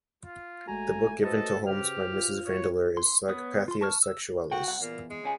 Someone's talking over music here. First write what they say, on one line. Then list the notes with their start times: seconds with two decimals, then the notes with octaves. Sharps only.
The book given to Holmes by Mrs Vandeleur is "Psychopathia Sexualis".
0.25 F4
0.68 G1 G#3 A3 F#4 G#5 A#5
1.23 F#4 A4 B4 C5 D#5
1.67 C#3 G4 F6
2.12 F4
2.47 C#5
2.97 C6
3.29 B3 B4 C#5 D#6
3.68 F4 C6
3.81 A5 C#6 F6
4.03 E6
4.52 F#4 G5
4.68 C2 F#5
4.81 E2 A#2
5.10 G#3
5.24 C#2 C#4 G#4